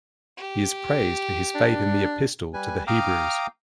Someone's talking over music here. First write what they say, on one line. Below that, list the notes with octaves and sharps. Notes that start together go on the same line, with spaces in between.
He is praised for his faith in the Epistle to the Hebrews.
G4
D4
G3 B4 G#5
F5 G5 A#5 D6 D#6 F6